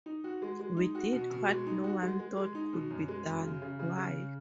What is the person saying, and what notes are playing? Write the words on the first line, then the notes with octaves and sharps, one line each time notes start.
We did what no one thought could be done. Why?
D#4
F#4
G#3
G#3
D#4
F#4
B2
B2
G#3
D#4
F#4
G#3
G#3
G#3
D#4
B2
F#2
G#3
F#2
C#3
C#3
C#3
C#3